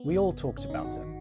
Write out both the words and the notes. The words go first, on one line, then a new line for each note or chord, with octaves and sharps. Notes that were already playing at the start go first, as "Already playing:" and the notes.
We all talked about it.
Already playing: B3
G#1 F#2 C#3
G#1 F#2 C#3
C#4
G#1 F#2 D#3 D#4
F#4
D#3